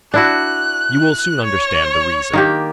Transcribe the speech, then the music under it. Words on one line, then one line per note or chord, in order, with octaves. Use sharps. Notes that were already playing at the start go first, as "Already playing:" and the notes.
You will soon understand the reason.
D4 E4 F#4 F#6
C#5
D#3 A#3 G4